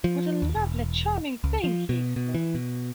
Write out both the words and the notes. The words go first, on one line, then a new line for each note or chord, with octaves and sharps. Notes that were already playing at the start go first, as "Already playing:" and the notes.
'What a lovely, charming thing!’ he exclaimed.
F3
D#2
E1
C#2
F3
B2
B2
E3
B2